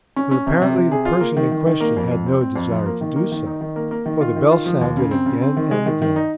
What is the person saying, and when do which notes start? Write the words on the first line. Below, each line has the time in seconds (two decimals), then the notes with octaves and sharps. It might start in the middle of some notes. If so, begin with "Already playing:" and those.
But apparently the person in question had no desire to do so, for the bell sounded again and again.
0.16 C#4
0.31 C#4
0.47 C3
0.62 C3
0.76 C3
0.92 G#4
1.06 F4
1.20 A#3
1.37 D#3
1.52 D#3
1.67 D#3
1.80 A#3
1.97 F2
2.11 F2
2.26 C4
2.41 C4
2.56 F2
2.71 F3
2.86 A#3
3.01 D#3
3.16 A#3
3.32 D#3
3.46 D#4
3.61 D#3
3.76 A#3
3.91 A#3
4.06 D#3
4.21 F4
4.36 D#3
4.51 F4
4.66 F3
4.81 D#2
4.97 C#3
5.11 C4
5.26 C#3
5.42 C4
5.57 D#3
5.71 G#3
5.86 D#3
6.02 D#3
6.16 D#4